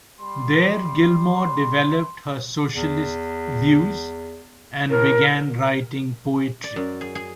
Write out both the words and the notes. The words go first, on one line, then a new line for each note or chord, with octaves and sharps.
There Gilmore developed her socialist views and began writing poetry.
G3 C6
E2
A2 A#4
D5
F#2
G#4
G#4